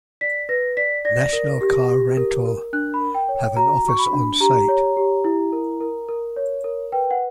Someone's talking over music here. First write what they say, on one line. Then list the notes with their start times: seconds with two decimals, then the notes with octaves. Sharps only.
National Car Rental have an office onsite.
0.21 D5 B6
0.49 B4 A#6
0.77 D5 B6
1.05 D5 A#6
1.33 A#4
1.61 G4
1.89 G4
2.17 A#4
2.45 A#4
2.73 D4 F#6
2.94 B5
3.01 A#4
3.15 G5
3.29 C#5
3.36 G5
3.57 F#4 A#5
3.85 F#4 C#6
3.99 B5
4.13 D4
4.40 G4 A#5
4.68 C#5
4.97 G4
5.24 E4
5.52 A#4
5.81 A#4
6.09 A#4
6.37 C#5
6.64 A#4
6.92 B4 G5
7.11 F#5